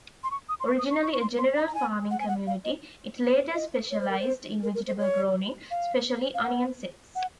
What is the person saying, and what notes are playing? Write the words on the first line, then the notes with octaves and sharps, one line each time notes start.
Originally a general farming community, it later specialized in vegetable growing, especially onion sets.
C6
C#6
D#6
C6
C#6
D#6
C#6
C#6
C#6
C6
C6
A#5
A#5
G#5
F#5
G#5
F#5
F5
D#5
D#5
C#5
C5
A#4
C5
A#4
A#4
C5
C#5
F5
F5
F#5
F#5